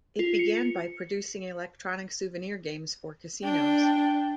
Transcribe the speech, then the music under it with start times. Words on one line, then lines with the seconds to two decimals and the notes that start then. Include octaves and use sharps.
It began by producing electronic souvenir games for casinos.
0.19 F4
0.39 C#7
3.44 D4 G5